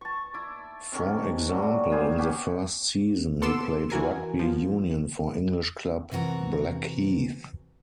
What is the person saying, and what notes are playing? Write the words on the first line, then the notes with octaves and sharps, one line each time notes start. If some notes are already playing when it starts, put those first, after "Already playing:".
For example, in the first season he played rugby union for English club, Blackheath.
A5 C#6
E4 D6
C3 D#3 C#4
A2 F#3 G3 A3
A#3 B3 G#4 C5
B3 C#4 G4
B3 A4 C6 D6 E6 E7
E3 F#4 A#4 G#5
F3
C3 E3 F#4 A#4